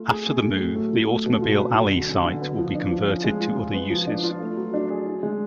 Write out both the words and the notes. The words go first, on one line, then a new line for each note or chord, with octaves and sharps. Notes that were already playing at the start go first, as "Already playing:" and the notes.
After the move, the Automobile Alley site will be converted to other uses.
Already playing: A3 F4
G#4
A3
F#3
A2
A3
F4
A3
B2
F4
B4
F#3
D3
C#4
D3
B3
F3
D4
F3
C#4
G#3
F4
G#3
B3
F3
D4
F4
A3
F#3
D4
G#4
D4
G#3